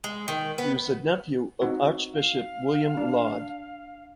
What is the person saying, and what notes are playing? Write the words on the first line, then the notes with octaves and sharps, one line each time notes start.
He was the nephew of Archbishop William Laud.
G#3
D#3
B3
C4 D#4 F#4
F5
D4